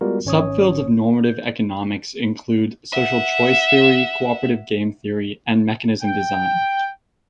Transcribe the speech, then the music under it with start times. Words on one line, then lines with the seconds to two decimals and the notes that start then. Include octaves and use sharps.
Subfields of normative economics include social choice theory, cooperative game theory, and mechanism design.
0.01 G3 G#3 B3 F4 F#4 A#4
0.25 G#1 C#4 C#5 D#6
1.24 G6
2.93 E5 F#5
6.02 G5